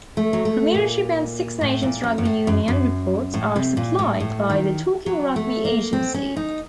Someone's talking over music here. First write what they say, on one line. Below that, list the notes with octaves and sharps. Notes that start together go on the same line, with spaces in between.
Premiership and Six Nations rugby union reports are supplied by the Talking Rugby agency.
A3
F#3
A3
A#2
A2
A#2
F#2
F#2
A2
F#2
F#2
A2
C3
A#2
A2
A2
D#3
F#3
A3
A#3
C4
C#4
D#4